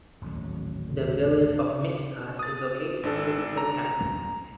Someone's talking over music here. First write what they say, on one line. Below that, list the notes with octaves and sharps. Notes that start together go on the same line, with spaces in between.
The Village of Mishicot is located within the town.
D#1 A1 F#3
D#6 A6
G#1 D4 A4
A#5